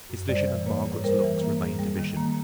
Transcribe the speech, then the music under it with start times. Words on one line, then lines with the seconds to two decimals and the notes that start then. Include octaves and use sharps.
His vision of Margaret's looks remained a vision.
0.10 F#2
0.28 G3 C5 D5
0.48 E3
0.66 A#3 B4 C#5
0.86 G#2
1.04 G3 A#4 C5
1.23 E3
1.42 A#3
1.61 G#2
1.79 G3
1.99 D#3
2.17 A#3